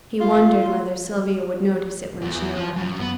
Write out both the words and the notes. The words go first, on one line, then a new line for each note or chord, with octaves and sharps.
He wondered whether Sylvia would notice it when she arrived.
F4
E2
F3
F#2
B3